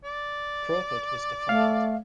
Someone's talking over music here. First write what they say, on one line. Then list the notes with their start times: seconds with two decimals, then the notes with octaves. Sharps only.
Crawford was defiant.
0.04 D5
1.49 A3 F5